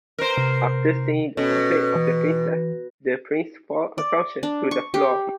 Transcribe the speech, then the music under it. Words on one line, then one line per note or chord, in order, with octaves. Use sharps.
After seeing the portrait of the princess, the prince falls unconscious to the floor.
A#4 C5
C3
B2 C#4 A4 C#5
E3
D5
D4
C#6
G4